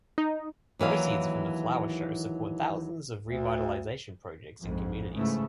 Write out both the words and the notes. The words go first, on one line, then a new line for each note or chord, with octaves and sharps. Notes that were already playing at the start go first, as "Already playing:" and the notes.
Proceeds from the Flower Show support thousands of revitalization projects in communities.
D#4
D#2 E3 F#3 F5
D2
A#1 F2 G#2
G#2 C#3 E3 A3